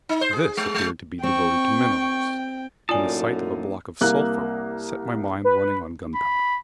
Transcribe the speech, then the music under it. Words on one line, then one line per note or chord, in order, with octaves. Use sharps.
This appeared to be devoted to minerals, and the sight of a block of sulphur set my mind running on gunpowder.
D#4
C5
G#4
G#3
G#3
C4 G5 C#6
F#2 A2 A#3 D#4 F4 D5 G#5 A5
C2 A#3 F#6
B4
B5